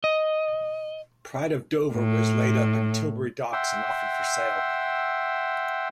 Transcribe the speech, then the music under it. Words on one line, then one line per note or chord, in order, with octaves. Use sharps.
"Pride of Dover" was laid up in Tilbury Docks and offered for sale.
D#5
A2
E5 F#5 G5 C6 E6